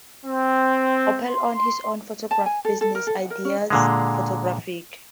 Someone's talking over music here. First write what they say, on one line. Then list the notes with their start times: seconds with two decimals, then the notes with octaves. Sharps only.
Opel owned his own photography business, Ideas Photographic.
0.24 C4
1.29 C6
2.31 A5
2.46 G#5
2.65 A4
2.81 A4
2.95 A#4
3.07 A4
3.19 F#5
3.30 A#4
3.45 C#4
3.70 A#2 D3 G#3